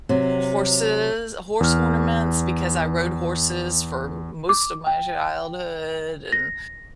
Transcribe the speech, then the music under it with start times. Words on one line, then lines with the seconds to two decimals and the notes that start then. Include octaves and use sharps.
horses horse ornaments because I rode horses for most of my childhood and
0.09 C3 F#3
1.61 E2 F6
4.49 D6
4.87 G5
6.32 A#6